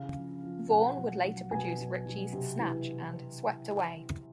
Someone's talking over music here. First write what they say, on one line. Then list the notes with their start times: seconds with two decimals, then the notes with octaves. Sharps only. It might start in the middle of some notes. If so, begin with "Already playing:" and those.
Vaughn would later produce Ritchie's "Snatch" and "Swept Away".
Already playing: C#3 E3 F5
0.16 F3
0.43 F3
0.70 B2 F#5
0.97 F#3
1.24 F#3
1.51 B2 G#5
1.78 F#3
2.06 F#3
2.33 C3
2.59 E3